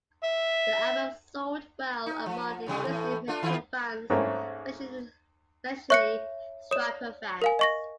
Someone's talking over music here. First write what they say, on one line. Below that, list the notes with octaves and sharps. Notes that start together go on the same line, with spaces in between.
The album sold well among the Christian metal fans, especially Stryper fans.
E5
D#4
F3
A2 C3 G3
A2 E3
A3 D4 F4
D#3 F4
G#2 A3 A#3 C4 C#4 E4
C#5 E5 C#6 F#6 C#7
C#5 D5 D#6 E7
A#4 F5 G#5
D#5 C#6 A#6